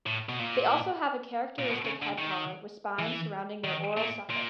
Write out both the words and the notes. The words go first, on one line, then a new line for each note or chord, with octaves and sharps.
They also have a characteristic head collar with spines surrounding their oral sucker.
A2
B2
A#2
A#2
B2
C#3
D3
D#3
E3
D#3
A#2
A#2